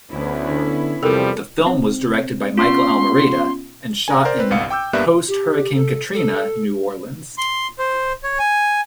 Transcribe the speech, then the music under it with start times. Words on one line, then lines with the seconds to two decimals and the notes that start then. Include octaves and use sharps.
The film was directed by Michael Almereyda and shot in post-Hurricane Katrina New Orleans.
0.11 D2 B3 C#4 E4
0.48 D3
1.03 E2 C3 F3 G3 A4 A#4
1.67 C4
2.58 B3 C#4 F4 C6
4.08 G#5 A#5
4.25 A#4 C5 D5
4.39 C4 B4
4.50 G1 C2 F5 C#7
4.70 G5 D6 E6 G6
4.93 G2 G3 A#3 B3 E5 F#6
5.28 G4
5.75 A4
6.14 A4
7.38 C6
7.79 C5
8.24 C#5
8.39 G#5